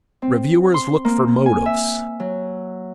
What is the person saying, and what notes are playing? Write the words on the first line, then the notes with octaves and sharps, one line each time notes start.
Reviewers look for motives.
C4
C6
A#3
G#5
E5
F#3